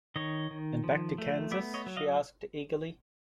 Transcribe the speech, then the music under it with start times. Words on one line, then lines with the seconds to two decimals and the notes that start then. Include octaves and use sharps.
And back to Kansas? she asked, eagerly.
0.16 D#3 C#5 D#5
0.51 D#3
0.84 F3
1.18 A3
1.51 B3 D5 E5
1.74 C#5 D#5
1.86 F#3
1.97 D#5 F5